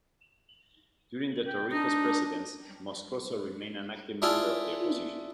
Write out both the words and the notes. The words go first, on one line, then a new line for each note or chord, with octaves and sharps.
During the Torrijos presidency, Moscoso remained an active member of the opposition.
G5
D4 D#4
D4 E4 F4 G#4